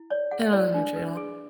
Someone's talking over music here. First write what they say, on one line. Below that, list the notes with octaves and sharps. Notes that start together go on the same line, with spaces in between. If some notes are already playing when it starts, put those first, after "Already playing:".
I don't like country at all.
Already playing: E4
C#5 D5
G#4 F#5
E4 D5
D4
B4
G#4